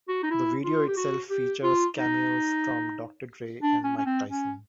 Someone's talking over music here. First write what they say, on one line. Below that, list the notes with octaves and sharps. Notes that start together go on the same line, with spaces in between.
The video itself features cameos from Doctor Dre and Mike Tyson.
F#4
D#4
E4
F4
G4
F#4
G4
F4
D#4
D4
C#4
C#4
C4
C#4